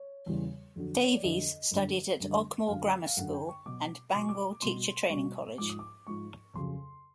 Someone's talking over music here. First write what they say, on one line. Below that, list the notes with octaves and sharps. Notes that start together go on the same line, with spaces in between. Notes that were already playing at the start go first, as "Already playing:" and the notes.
Davies studied at Ogmore Grammar School and Bangor Teacher Training College.
Already playing: C#5
E2 C#3 E3 G3
F2 D3 F#3
C#5
D5
F2 D3 F#3 D#5
F#2 D3 G3
F#2 D3 G3
F#2 D3 F#3 F5
F5
F#2 D3 F#3 F#5
G5
C#6
B2 F#3 D6
B2 F#3 D6
C#6
D6
B2 G3 C6
B2 G3 C#6
G#2 F3 D6
D#6
D6
G#2 F3 C#6
F2 C#3 F#3 C6